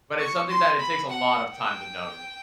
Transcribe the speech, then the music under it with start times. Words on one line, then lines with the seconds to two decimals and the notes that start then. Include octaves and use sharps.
But it's something that it takes a lot of time to notice.
0.19 C#6
0.50 C6
0.79 B5
1.09 F#5
1.54 G5